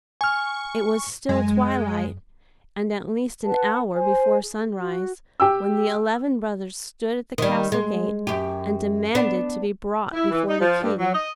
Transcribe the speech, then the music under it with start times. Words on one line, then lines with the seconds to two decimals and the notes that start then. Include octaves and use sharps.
It was still twilight and at least an hour before sunrise when the eleven brothers stood at the castle gate and demanded to be brought before the King.
0.21 G#5 C#6 F6
1.29 F#2 G#3
3.45 B4 F#5 A5
3.95 C5 G#5
4.43 G#4
4.79 F#4
5.40 G4 G5 E6
7.38 D#3 G3
7.72 G#3
8.27 F#2 G4
9.15 B3 D4
10.13 E4
10.31 E3
10.48 D#4
10.60 F3
10.82 G2
10.98 F#3
11.15 D#5